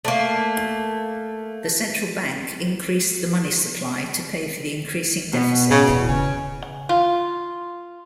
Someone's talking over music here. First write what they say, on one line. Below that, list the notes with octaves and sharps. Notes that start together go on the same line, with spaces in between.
The Central Bank increased the money supply to pay for the increasing deficit.
A3 A#3
B2
A2 C#3
E1 E2
C#3 C#4
F4